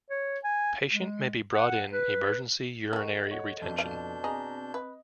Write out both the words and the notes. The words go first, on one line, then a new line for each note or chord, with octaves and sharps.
Patient may be brought in emergency urinary retention.
C#5
G#5
G#3
F#5
B4
D#3 F#4 A4 D#5
C#5 F#5
F2 B2 D4 G6
F5
C4 G#4 D#5 A#5
B4 D#5